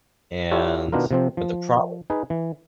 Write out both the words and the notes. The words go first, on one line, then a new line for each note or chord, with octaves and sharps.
And but the problem
E4 F4 G4 A4 C#5 F#5
B2 D#3 B3 D4 F4 A#4
C3 F3 C4
F3
D#4 G#4 B4
E3